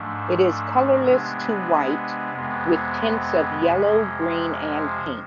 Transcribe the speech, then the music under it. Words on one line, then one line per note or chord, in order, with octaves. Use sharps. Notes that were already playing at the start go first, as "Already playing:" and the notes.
It is colorless to white with tints of yellow, green and pink.
Already playing: G#2 F3 A3 D4
C3 G#3 B3 D4
F2 C3 G#3 B3
F2 C3 F3 G#3